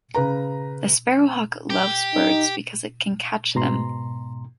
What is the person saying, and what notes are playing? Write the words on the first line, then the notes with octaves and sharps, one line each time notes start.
The sparrowhawk loves birds because it can catch them.
C#3 B4 A#5
G4
D#4
G#2 B2 A#5 C6